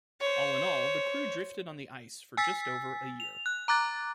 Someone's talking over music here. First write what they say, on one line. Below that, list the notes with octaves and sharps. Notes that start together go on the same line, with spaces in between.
All in all the crew drifted on the ice for just over a year.
C5 C#5
G#5 E6 A6 B6
F7
F#6
A#5 D6 F#6 A6